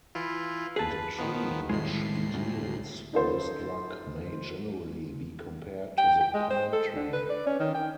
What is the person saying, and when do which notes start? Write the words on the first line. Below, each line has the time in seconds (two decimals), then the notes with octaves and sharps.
The tree which yields this drug may generally be compared to the pine tree.
0.15 E3 E4 F4
0.76 G#4 B4 A5
1.19 D#3 F3 B3
1.69 C2 A2 D#3 G#3 C7
2.34 D2
3.13 C#4 D#4 F4 A4 B4 C5
5.98 G5
6.20 G5
6.34 G#3
6.50 C5
6.73 A4
6.96 D3
7.13 B4
7.30 D5
7.46 C#4
7.60 D#3
7.74 G5